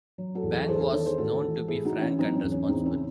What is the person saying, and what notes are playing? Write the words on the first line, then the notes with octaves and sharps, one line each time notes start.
Wang was known to be frank and responsible.
F#3
F#4 A4
E2
E4 G#4
A4
E2 G#4 C5
A4
G#4 C5
D#3 A4 C#5
G#4 C5
A2 F#4 A4
E3
A2 E4 G#4
D#4 F#4
E3
C#4 E4
F#3 C4 D#4
C#4
E2
C#4
C#4
E2 C4 D#4
C#4 E4
C#3